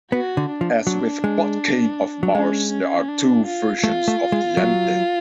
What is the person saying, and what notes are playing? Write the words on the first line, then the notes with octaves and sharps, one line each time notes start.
As with "Podkayne of Mars", there are two versions of the ending.
B3 F#4
D3
D4
F3
F#3 D4
G#3
F#3
G#3 C#4
C#4
D4
F4
A3 F4
A3
G#3
F#3